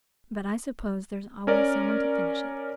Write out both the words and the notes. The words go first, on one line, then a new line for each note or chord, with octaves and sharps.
"But I suppose there's always some one to finish it."
C#4 A#4 D5